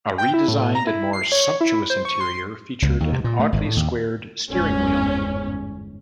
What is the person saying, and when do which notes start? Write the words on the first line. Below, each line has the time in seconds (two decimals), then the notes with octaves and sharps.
A redesigned and more sumptuous interior featured an oddly squared steering wheel.
0.18 G5
0.34 E4
0.48 A2
0.75 A#5
0.87 E4
1.13 C7
1.32 C#5
1.61 E4
1.90 C5
2.05 C#6
2.20 C6
2.82 C#2
3.00 D#2
3.13 C3
3.24 A#2
3.39 A3
3.52 G#1
3.65 A2
3.77 D#2
4.51 G1 E2 G#2 C#4